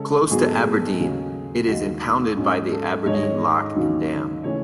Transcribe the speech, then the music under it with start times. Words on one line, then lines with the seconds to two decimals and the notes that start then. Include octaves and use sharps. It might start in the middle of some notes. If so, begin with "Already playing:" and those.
Close to Aberdeen, it is impounded by the Aberdeen Lock and Dam.
Already playing: C#3 G#3 C#4 A4
0.31 G#2 F#3 B3 G#4
0.42 A4
0.54 G#4
0.99 D#2 C#3 F#3 C#4
1.68 D#2 D#3 G#3 D#4 F#4
2.37 G#2 F#3 C#4
2.72 A4
3.06 G#2 D#3 G#3 C#5
3.14 D#5
3.23 C#5
3.75 D#2 D#3 F#3 C#4
4.44 C#3 E3 A3 C#4 C#5